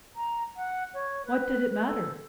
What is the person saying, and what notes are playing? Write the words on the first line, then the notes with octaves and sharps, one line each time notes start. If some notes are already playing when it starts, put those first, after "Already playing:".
What did it matter?
A#5
F#5
C#5
B4
A4